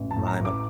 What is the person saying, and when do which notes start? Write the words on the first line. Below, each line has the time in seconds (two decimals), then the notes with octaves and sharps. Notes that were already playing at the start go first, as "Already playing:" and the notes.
My my
Already playing: A1
0.11 A5
0.16 A2
0.27 A#5
0.39 A1
0.45 D6